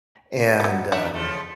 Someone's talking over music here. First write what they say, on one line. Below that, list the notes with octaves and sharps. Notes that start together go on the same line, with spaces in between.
And, um,
F#3 B3
D#2 D4 F#4 E5
C#3 F3 A3